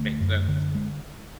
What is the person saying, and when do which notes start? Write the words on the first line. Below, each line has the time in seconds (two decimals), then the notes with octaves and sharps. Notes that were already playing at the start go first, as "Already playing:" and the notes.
Makes sense.
Already playing: D2 D3 A3
0.21 F#2
0.48 D3
0.75 G#3